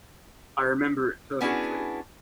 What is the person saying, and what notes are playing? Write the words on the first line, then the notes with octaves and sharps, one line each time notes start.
I remember it perfectly.
B3 C#4 D4 E4 F#4 G#4